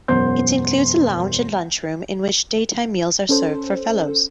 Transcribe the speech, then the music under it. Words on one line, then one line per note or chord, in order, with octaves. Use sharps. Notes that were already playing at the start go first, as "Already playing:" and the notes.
It includes a lounge and lunchroom in which daytime meals are served for fellows.
E1 F#2 B3 C5 C6 G6
C#4 A4 C5